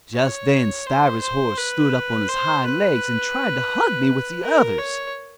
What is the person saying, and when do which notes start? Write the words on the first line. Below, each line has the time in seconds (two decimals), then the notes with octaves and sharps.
Just then Stiver's horse stood up on his hind legs and tried to hug me with the others.
0.14 C#5
0.86 C5
1.22 C5
1.58 B4
2.28 C5
2.65 B4
4.42 A#4
4.78 C#5